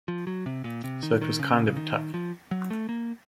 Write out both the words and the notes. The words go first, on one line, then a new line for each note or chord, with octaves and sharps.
So it was kind of tough.
F3
F#3
C3
A#2
C3
D#3
D#3
C#3
C#3
D#3
F3
F#3
A3
A#3